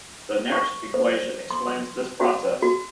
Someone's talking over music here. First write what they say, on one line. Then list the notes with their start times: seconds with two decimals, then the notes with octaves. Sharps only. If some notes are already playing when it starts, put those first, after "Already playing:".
The Nernst equation explains this process.
0.52 C#6
0.94 C5
1.51 C6
2.21 F#4
2.62 F#4